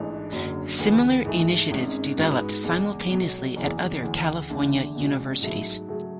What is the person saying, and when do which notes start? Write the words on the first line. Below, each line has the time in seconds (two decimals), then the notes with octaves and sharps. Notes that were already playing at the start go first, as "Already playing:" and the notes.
Similar initiatives developed simultaneously at other California universities.
Already playing: A1 G#2 E3 A3 D4
0.32 F#1 F#2 D3 F#3
0.78 D2 C#3 E3 B3
1.25 G#2 E3 A3
1.71 G#1 G#2 G#3 C#4
2.18 G#2 G#3 B3 F#4
2.64 E2 C#3 G#3
3.10 B1 B2 F#3
3.56 F#1 E2 C#3 E3
4.02 D2 C#3 E3
4.50 E2 D3 A3
4.95 E2 B2 G#3 C#4 F#4
5.41 G#2 F#3 A3 E4
5.88 C#3 F#3 A3